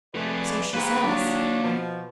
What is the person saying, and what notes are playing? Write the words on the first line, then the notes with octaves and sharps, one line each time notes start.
"So she says."
F2 A3 G#4 B4 D5
G#2 A#3 B4 G5
F#3 D4
B2 F3